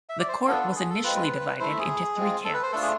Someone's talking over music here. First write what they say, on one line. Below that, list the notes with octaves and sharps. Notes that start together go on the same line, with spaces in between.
The Court was initially divided into three camps.
E5
D5
C5
B3 D4 F4 A4
B4
G#4
A4
G#3 C4 F4 B4
A3 E4 C5
E5
G#4
G#3 C4 F4
A4
B4
C5
A3 D4 F4 A4
G#4